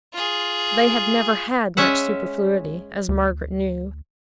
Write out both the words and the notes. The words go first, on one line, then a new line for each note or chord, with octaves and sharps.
They had never had much superfluity, as Margaret knew.
F4 G#4
G#3 C#4 E5 F#5
D2